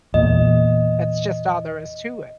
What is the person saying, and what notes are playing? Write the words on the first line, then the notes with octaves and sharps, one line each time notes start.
That's just all there is to it.
E2 A#2 D#5